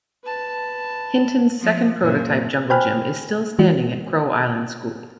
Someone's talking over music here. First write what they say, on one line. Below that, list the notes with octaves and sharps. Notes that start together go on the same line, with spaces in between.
Hinton's second prototype jungle gym is still standing at Crow Island School.
B4 A5
F3
F#2 A#2
C5 G5 G#5 B5 F6 F#6
E3 G#3 F#4